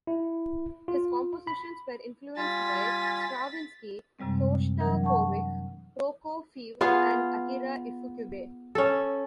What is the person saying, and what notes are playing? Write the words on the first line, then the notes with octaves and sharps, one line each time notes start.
His compositions were influenced by Stravinsky, Shostakovich, Prokofiev and Akira Ifukube.
E4
F4
B5
G3 F4 G#5 A6 B6
F#2 C3 G3 G#3 C4
E3 F#3 D4 A#4
F#5 A5 C#6
B3 F4 G#4 F5
C#4 A4